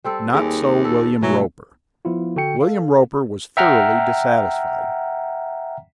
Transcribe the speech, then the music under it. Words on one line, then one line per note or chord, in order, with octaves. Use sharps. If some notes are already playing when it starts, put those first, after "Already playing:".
Not so William Roper; William Roper was thoroughly dissatisfied.
G3 C4 A4
D#2 G#4
A4
B2 E3 F#3 A3
F3 B3 E4 F4
D3 F#4 A4 G5 C#7
A4 F5
E5 F#5 G5 A#5 F6